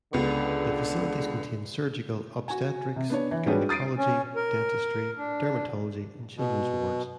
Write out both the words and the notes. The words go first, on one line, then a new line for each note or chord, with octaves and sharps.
The facilities contain surgical, obstetrics, gynecology, dentistry, dermatology and children's wards.
C#2 D3 B3
F#4 G#5
C3
B3 D4 C#5
E3
G3 D4 F#4 G#4 B4 C#5
D#6 A6 C7 D7 D#7
C#4
A#4
D4
B2